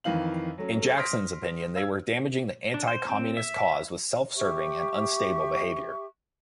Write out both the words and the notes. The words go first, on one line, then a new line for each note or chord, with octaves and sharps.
In Jackson's opinion they were damaging the anti-Communist cause with self-serving and unstable behavior.
F2 D#3 E3 F5 F#7
F#3 A3 C#4
A4
C6 D#6 F6 A#6 B6 D7
F5 E6 G#6
D4
C5
C4
E5
G4 E5 C#6